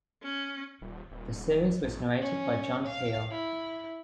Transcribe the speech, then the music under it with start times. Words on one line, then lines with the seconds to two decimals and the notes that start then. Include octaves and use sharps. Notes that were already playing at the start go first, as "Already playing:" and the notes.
The series was narrated by John Peel.
0.22 C#4
0.82 D#1
1.11 D#1
1.83 A1
2.22 C#4
2.87 F5
3.31 E4